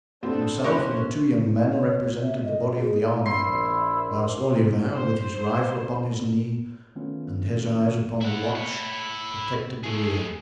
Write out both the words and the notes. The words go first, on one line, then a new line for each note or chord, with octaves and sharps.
Himself and the two young men represented the body of the army, whilst Olivain, with his rifle upon his knee and his eyes upon the watch, protected the rear.
F2 B3 C4 D4 A4
D#2 C#4 G4 A#4 C5 E5 C#6 F#6
E4
C#5
C#5
E5
D#5
G#4
A#1 E4 C6
C5
D#3 A3 B3 C#4 F4
E4 F#5
E4 C#5
A3 G#4